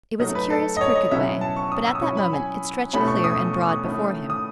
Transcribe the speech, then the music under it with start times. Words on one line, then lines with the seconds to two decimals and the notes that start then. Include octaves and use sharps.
It was a curious crooked way, but at that moment it stretched clear and broad before him.
0.20 F#3 A3 D#4 D#5
0.35 B4
0.50 A4
0.77 D#5
0.81 C#5
0.96 D#5
1.11 B2 F#3 C#4 E4 E5
1.41 A5
1.57 C#6
1.72 D#6
1.87 E6
1.95 D#6
2.02 F#3 C#4 E4 C#6
2.17 B5
2.33 G#5
2.93 B2 A3 C#4 E4 B5
3.08 C#6
3.24 D#6
3.39 D#6
3.53 C#6
3.69 D#6
3.84 D#3 A3 C#4 E4
4.30 D#6